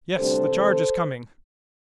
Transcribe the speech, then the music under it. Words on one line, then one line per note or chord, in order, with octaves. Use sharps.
Yes, the charge is coming.
D2 C3 G3 D4 A4 C5
C3 E3 A3